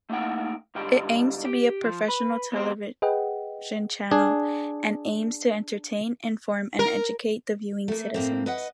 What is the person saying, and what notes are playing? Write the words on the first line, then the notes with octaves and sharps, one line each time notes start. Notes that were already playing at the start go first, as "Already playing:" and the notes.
It aims to be a professional television channel and aims to entertain, inform and educate the viewing citizens.
A3 A#3 D#4 F#5 G5
G#2 D3 G3 G5
G4
F3
B4
B3 C4 G4 C5
G#4 B4 D#5 F#5 G5
D4 G#4
A#4
A3 A#3
A2 A#3 C4
B4 D#5 F#5